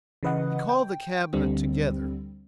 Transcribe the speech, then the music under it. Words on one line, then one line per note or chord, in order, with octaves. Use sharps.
He called the Cabinet together.
C#3 E3 B4 D#5 F#5
G5
D2 D3 G3 C4